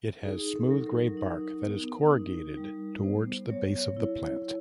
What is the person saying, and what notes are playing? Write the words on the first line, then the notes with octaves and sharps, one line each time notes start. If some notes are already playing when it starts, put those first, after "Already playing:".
It has smooth grey bark that is corrugated towards the base of the plant.
D#4 G#4
A4
F#3
A#4
D#4
B3
D#4
G3
B3 C5
F#3 C#5
E4
E4